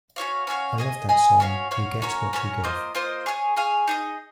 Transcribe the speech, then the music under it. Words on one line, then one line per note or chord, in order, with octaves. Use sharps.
I loved that song 'You Get What You Give.
C#4 F#4 C#5 F5
C#4 F#4 C#5 F5
G#4 D#5 G#5
G#4 D#5 G#5
C#4 F#4 C#5 F5
C#4 F#4 C#5 F5
C#4 F#4 A#4 C#5
C#4 F#4 A#4 C#5
A#3 F4 C5 D#5
A#3 F4 C5 D#5
G#4 C#5 F5 G#5
G#4 C#5 F5 G#5
D#4 G#4 D#5